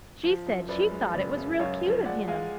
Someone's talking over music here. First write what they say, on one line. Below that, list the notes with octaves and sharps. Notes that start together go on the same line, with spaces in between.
She said she thought it was real cute of him.
F3
F#2
F#2 B4 D5
G#3
C#3 B4 D5
F#2
F#2 C#5 F5
F3
G#3 D5 F#5
G#3 F5 G#5